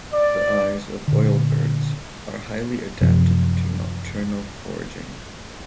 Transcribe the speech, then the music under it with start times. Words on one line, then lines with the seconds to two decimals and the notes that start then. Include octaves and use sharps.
The eyes of oilbirds are highly adapted to nocturnal foraging.
0.13 D5
1.08 A#2 D3
3.01 F#2 C3 F3